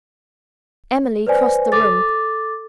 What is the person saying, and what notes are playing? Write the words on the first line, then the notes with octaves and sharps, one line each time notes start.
Emily crossed the room.
B4 C5 D5 G#5
A4 D6 A6